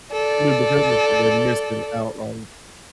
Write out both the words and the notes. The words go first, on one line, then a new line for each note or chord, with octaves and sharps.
simply because of the fact they're missing out on,
A4 D5